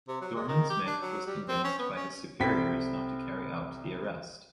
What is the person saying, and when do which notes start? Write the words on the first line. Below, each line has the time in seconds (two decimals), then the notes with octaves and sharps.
Dorman-Smith was convinced by his superiors not to carry out the arrest.
0.08 C3
0.21 F#3
0.35 G#3
0.48 D#3
0.70 G4
0.86 D4
1.02 F#3
1.27 G3
1.48 C4
1.64 C#4
1.79 B3
1.96 C#4
2.40 C2 C4 A4 G5 B5 B6